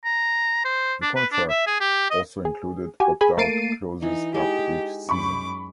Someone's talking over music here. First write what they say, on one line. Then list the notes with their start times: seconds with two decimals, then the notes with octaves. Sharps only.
The contract also included opt out clauses after each season.
0.05 A#5
0.65 C5
1.02 D4
1.16 B4
1.32 D4
1.49 E5
1.67 G#4
1.81 G4
2.11 D#5
2.45 G#4
3.00 F#4 G4 G#5
3.21 G#4 G#5 B5
3.37 A3 A#3 A6 C7 D7 D#7
4.02 E3 D#4
4.34 G#3 D#4 G4 D#5
5.09 F#2 B5 C#6 D6